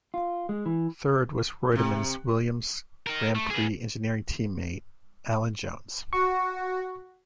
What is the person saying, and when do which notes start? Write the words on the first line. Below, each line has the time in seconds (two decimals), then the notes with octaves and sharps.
Third was Reutemann's Williams Grand Prix Engineering teammate Alan Jones.
0.14 F4
0.49 G#3
0.66 E3
1.72 F#2 C3
3.07 D#4 A#4
3.35 A3
3.50 G#4 B4
6.13 F#4 C#6